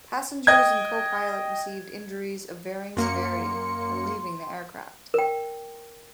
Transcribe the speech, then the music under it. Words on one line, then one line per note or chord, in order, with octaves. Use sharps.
Passengers and copilot received injuries of varying severity when leaving the aircraft.
D#5 G5 G#6
F#2 A#3 C6 C#7
A#4 G5